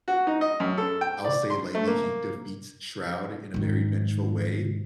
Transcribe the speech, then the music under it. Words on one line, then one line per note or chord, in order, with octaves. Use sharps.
I'll say lightly, he defeats Shroud in a very vengeful way,
F#4
D#4
D#5
F#2
A4
G5
D5
C6
A3
A#3
G#2 D#3